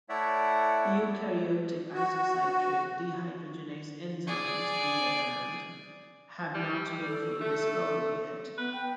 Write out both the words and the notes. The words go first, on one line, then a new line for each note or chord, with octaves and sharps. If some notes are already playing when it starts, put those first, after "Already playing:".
Eukaryotic isocitrate dehydrogenase enzymes on the other hand, have not been fully discovered yet.
A3 E4 C#5 D5 E5 F#5
F#4
G#4 D5
G3
A4
A3
B3 B4
G5